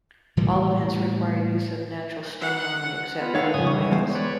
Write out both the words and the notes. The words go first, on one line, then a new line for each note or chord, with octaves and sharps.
All events require use of natural stone only, except for the Wales.
A2 E3 G3 A#3
F#5
B3 F4 B4
D#3 A4 B4 C#5 F5 F#5
F2 C#3 F#5 G#5 D#6
E3 G3 C#6
E2 G#3 C5
B4 C#5 D5